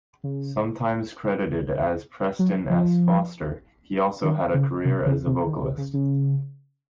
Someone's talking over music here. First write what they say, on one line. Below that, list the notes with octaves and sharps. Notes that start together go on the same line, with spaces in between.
Sometimes credited as Preston S. Foster, he also had a career as a vocalist.
C#3
F#3
F3
D#3
C#3
C3
C#3
C3
D#3
C3
C#3
C#3